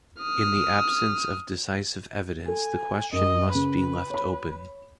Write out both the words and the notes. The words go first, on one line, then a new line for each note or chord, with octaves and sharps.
In the absence of decisive evidence the question must be left open.
D#6 F6
A4 G#5
F#2 D#5
C#3 B4
C#5 B5